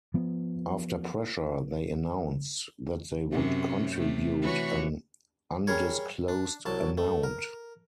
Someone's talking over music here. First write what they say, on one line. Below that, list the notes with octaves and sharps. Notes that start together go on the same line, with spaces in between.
After pressure, they announced that they would contribute an undisclosed amount.
F3 B3
F#2 C3 C#4
C3 A3
E3 F#4 C#5
G3 G#4 A#4 C#5
D4
C2 F#3 A5
A3
A#4